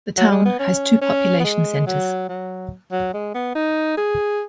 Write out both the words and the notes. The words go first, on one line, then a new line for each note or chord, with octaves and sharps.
The town has two population centers.
F#3
G#3
B3
C#4
C#4
B3
G#3
F#3
F#3
F#3
G#3
B3
D#4
G#4